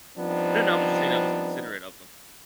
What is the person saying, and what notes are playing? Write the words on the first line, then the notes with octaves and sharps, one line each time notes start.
No, no, I'm just saying that was considerate of them.
F3 G3 B3 C4 D4 D#4